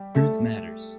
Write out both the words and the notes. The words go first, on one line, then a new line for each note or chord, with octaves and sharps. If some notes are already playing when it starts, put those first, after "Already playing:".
Truth matters.
Already playing: G3 G4
A3 A4